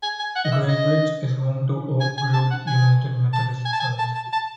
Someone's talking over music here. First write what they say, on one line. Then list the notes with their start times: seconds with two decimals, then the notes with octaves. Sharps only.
Great Bridge is home to Oak Grove United Methodist Church.
0.03 G#5
0.19 G#5
0.36 F#5
0.45 D#5
0.52 E5
0.69 D#5
2.00 G#5
2.18 G#5
2.34 A5
2.51 F#5
2.67 G#5
3.33 A5
3.65 G#5
3.73 A5
3.80 G#5
3.99 A5
4.15 A5
4.33 A5